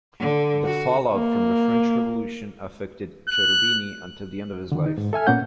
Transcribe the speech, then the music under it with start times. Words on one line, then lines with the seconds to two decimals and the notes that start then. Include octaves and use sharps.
The fallout from the French Revolution affected Cherubini until the end of his life.
0.20 D3
0.64 F#4
1.13 A#3
3.28 F#6
4.72 D3 D#3
4.86 D#4
4.98 G#2
5.13 A4 E5 G#5 F6
5.27 A#2 A#3 B3 C#4 F#5 G6